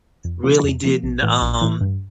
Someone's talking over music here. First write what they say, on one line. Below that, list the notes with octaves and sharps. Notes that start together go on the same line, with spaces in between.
really didn't, um,
F2
C3 F3 A#3
F2
C3 F3 A#3
A#1
A2 E3
A#1
A2 E3
G2